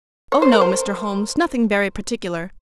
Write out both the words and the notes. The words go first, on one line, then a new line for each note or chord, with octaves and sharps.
"Oh, no, Mr. Holmes--nothing very particular."
C#5
C5
A#4
C5